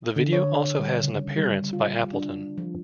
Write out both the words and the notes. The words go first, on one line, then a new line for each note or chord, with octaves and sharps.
The video also has an appearance by Appleton.
D3
C#5
G3
C#3
G3
F4
D4
F3